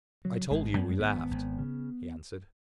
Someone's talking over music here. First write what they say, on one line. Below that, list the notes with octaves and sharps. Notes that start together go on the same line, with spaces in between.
'I told you we laughed,' he answered.
C#3 F#3
G#1 G#3
F#2 B3
G#3
B3
G#1
G#1
C#3